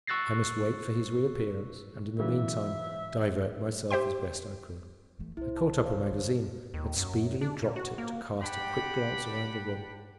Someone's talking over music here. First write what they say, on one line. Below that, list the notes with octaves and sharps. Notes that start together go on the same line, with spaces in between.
I must wait for his reappearance, and in the meantime divert myself as best I could. I caught up a magazine, but speedily dropped it to cast a quick glance around the room.
C#6 E6 F#6 A6 A#6 C7
C#3 E3 F#3 E5
G4 C5 E5 G5 C6
E3 A3
C2 E4 C5
A5
C5 C#5 F5
D3
D#2
F#2
D4
A#2
F#4
A#3
D4 G4 F#5 G5 B5